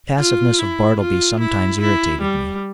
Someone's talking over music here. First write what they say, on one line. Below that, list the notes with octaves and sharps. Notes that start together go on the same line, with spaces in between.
The passiveness of Bartleby sometimes irritated me.
F4
E4
F4
E4
E4
G3